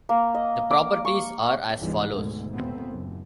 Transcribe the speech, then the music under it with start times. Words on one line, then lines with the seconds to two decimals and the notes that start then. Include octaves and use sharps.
The properties are as follows.
0.09 A#3
0.34 D#5
0.71 D6
1.05 C#6
1.77 C#2 G#2 B2 E3 G3 G#3
2.10 G#1 D2 G#2 B2
2.51 D#2 A#2 A3 B3 C4
2.89 F#1